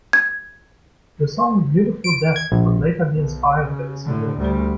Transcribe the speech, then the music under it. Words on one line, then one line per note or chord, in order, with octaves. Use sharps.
The song "Beautiful Death" would later be inspired by this event.
G#6
D7
G#6
A#1
B1
C#3
A2 D3
D2 G3